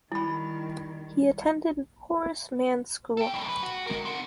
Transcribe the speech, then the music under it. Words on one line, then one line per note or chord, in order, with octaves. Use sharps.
He attended Horace Mann School.
D#3 G3 E4 B5
A4 G5
F#2 B2
B4
F#4
G#3 A#4
C4 F#5